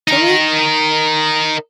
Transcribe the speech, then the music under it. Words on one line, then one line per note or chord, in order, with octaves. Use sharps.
to me
D#4 A#4